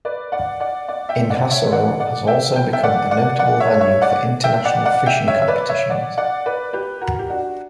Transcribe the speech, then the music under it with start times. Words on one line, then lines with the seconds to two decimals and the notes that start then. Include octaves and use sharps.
Inhassoro has also become a notable venue for international fishing competitions.
0.05 B4 D5
0.32 D5 F#5
0.60 D5 F#5
0.88 D5 F#5
1.09 E5 G5
1.30 D5 F#5
1.51 C#5 E5
1.72 D5 F#5
2.00 D5 F#5
2.27 E5 G5
2.56 G5
2.73 E5 G5
2.83 D5 F#5
3.11 D5 F#5
3.39 D5 F#5
3.60 C#5 E5
3.80 C#5 E5
4.01 D5 F#5
4.44 E5 G5
4.65 D5 F#5
4.85 D5 F#5
5.06 E5 G5
5.27 C#5 E5
5.42 E5
5.48 B4 D5
5.69 C#5 E5
5.90 D5 F#5
6.18 D5 F#5
6.46 B4 D5
6.73 G4 B4
7.01 F#4 A#4
7.19 G4
7.30 D4 F#4